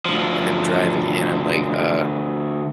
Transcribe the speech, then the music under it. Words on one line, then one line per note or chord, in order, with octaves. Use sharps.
and them driving, and I'm like, "Uh,"
D2 F3